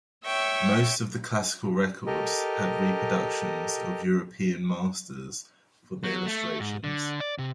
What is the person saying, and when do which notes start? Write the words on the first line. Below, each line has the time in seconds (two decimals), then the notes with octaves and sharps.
Most of the classical records had reproductions of European masters for the illustrations.
0.24 C#5 E5 G5 C#6
2.06 G4 A4 A#4 D#5
6.04 F#3
6.26 A3
6.60 G#2
6.84 D3
7.20 D5
7.39 C3